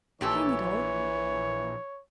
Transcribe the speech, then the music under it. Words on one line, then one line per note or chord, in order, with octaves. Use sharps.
Hang it all!
A#1 A#2 E3 G4 A4 C#5